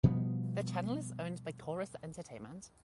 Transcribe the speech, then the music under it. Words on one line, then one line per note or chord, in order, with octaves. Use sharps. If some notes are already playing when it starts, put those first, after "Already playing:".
The channel is owned by Corus Entertainment.
B2 F3 G3 B3